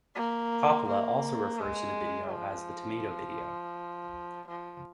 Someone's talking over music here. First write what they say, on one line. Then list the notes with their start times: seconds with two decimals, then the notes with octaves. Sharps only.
Coppola also refers to the video as the "tomato video".
0.16 A#3
0.88 A#3
1.60 G#3
2.32 F3
4.48 F3